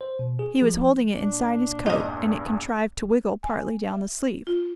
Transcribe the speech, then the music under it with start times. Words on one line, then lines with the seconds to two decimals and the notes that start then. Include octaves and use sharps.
He was holding it inside his coat, and it contrived to wiggle partly down the sleeve.
0.01 C5
0.19 B2
0.39 G#4
0.62 F3
1.15 A#2 D4
1.86 E2 G2 D#4 D#5
3.43 G#5
3.88 E5
4.47 F4